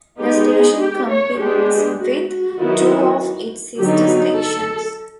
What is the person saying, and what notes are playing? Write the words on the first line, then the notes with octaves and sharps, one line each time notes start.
The station competes with two of its sister stations.
G#3 B3 D#4 G4
G#4
G4
C#5
G#3 B3 D4 G4
F#4
F#4
D#3 F#3 B3 E4
D3 F#3 B3 D#4 G4
A4